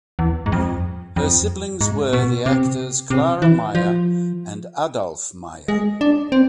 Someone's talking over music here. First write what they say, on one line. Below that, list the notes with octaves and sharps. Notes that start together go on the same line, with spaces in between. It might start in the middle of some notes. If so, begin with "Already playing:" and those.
Her siblings were the actors Clara Meyer and Adolf Meyer.
E2
G#2
F2
F2
G#2
B2
C3
C3
E3
F3
G#3
D4
C4